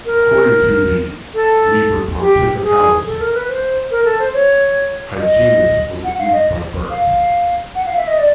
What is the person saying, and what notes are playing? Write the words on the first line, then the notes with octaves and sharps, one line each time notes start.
According to the "Liber Pontificalis", Hyginus was a Greek by birth.
A#4
A4
G4
G#4
A4
A#4
B4
C5
A#4
A4
C5
C#5
D#5
F#5
F5
D#5
F5
F#5
F5
E5
D#5
D5